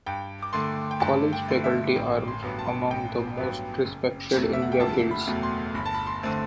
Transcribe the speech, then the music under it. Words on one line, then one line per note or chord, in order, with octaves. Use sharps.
College faculty are among the most respected in their fields.
G2 G5
D6
D3 A3 C6
G5
G2 A5
G5
D3 A3
E5
A1 G5
C6
G2 F#3 B3
A5
A1 G5
G2 F#3 B3
F#1
E2 B2 F#3 A3
E5
F#5
G5
F#1 A5
B5
E2 B2 F#3 A3
C6
G1 B5
A5
B5
C6
D3 A3 C4